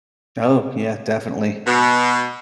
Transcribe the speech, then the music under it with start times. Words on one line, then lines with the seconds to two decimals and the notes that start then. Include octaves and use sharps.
Oh, yeah, definitely
1.65 B2